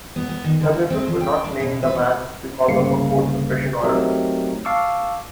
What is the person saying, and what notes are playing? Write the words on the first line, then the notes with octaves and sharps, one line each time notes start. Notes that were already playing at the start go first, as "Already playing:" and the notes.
The papers could not name the man because of a court suppression-order.
B3
B3
D#3
D3
F#4
C4
F3
G5
D4
B2
B4
F#5
G1 C2 C#3 A#3 C7 C#7
F#3 A3 C4 D#4 G4 A#4
F5 A5 C#6 D6 E6